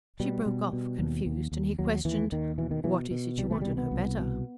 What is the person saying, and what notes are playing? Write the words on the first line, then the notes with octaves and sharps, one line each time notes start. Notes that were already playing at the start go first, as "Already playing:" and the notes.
She broke off, confused, and he questioned: "What is it you want to know better?"
B2 G3
B2
B2
D#2
D#2
D#2
D#2 F#3
D#2 E3
D#2 D#3
B2 E3
D#3
B2 E3
B2
C2 G3
A3
B2 G3
B3
C2
B2